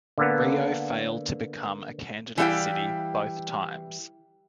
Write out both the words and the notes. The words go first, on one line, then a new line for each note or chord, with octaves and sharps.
Rio failed to become a candidate city both times.
D3 A#3 B3
E3 G3 E4 G#4 F5 G5